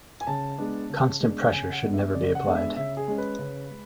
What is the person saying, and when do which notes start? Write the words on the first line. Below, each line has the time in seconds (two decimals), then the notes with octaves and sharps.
Constant pressure should never be applied.
0.21 G#5
0.27 C#3 A5
0.58 G#3 B3 D4
0.90 C#3
1.20 G#3 B3 D4
1.52 C#3 G#5
1.72 F#5
1.82 G#3 B3 D4
1.94 E5
2.14 C#3 D5
2.35 F#5
2.45 G#3 B3 D4
2.56 E5
2.77 C#3 E5
2.97 G#4
3.08 G#3 C#4
3.18 B4
3.39 C#3
3.71 G#3